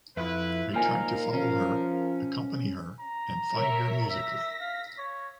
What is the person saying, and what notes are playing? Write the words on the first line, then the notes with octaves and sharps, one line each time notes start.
I tried to follow her, accompany her, and find her musically.
F2 F3 E4 B4
A#2 A#3 D#4 F4 A#4 C5 F5 G#5
F3 C#4
A#5
A#4 C#5 E5
E5 A#6 B6
F5
C#5